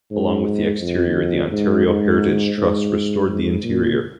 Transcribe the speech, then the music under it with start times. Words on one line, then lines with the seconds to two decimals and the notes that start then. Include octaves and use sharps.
Along with the exterior, the Ontario Heritage Trust restored the interior.
0.11 G#2
0.81 F2
1.52 G#2
1.87 G#2
2.57 G#2
3.28 G#2
3.63 A#2